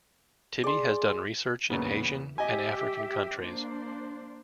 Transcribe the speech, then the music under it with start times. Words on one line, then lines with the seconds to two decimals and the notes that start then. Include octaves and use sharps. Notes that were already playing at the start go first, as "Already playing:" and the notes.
Tibi has done research in Asian and African countries.
0.64 G#4 D5 C6
1.70 E2 A#2 C#3 B3
2.38 G4 D#5 E5 G#5
3.38 A#3 D4 C5